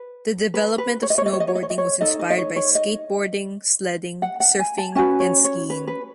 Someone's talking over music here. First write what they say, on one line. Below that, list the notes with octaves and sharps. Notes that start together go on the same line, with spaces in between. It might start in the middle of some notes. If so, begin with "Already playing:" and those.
The development of snowboarding was inspired by skateboarding, sledding, surfing and skiing.
Already playing: B4
B4
B4
C#5
D#5
C#5
D#5
C#5
D#5
C#5
D#5
C#5
D#5
C#5
D#4 A4 D#5
D#5
D#5
C#5
C#5
D#5
F#5
F#5
G#5
A5
C#4 F#4 B4 G#5
C#5
C#5
B4
B4